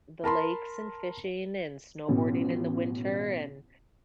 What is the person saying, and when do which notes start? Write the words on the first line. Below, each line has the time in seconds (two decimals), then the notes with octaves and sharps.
the lakes and fishing and snowboarding in the winter and
0.24 A#4 A5 B5 C6
2.08 A1 B2